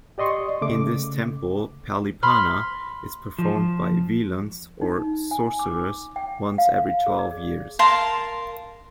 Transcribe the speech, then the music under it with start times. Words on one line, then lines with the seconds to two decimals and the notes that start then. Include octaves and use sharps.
In this temple 'Pallipana' is performed by "velans" or sorcerers once every twelve years.
0.18 G4 D5 D#5 C6 C#6
0.61 C#3 A3 D6
2.23 B5 C6 F6
3.39 F3
4.81 D#4
5.31 G#5
5.59 D6
6.16 G5
6.58 F5
7.07 G#4
7.19 D5
7.79 A#4 F5 A5 C6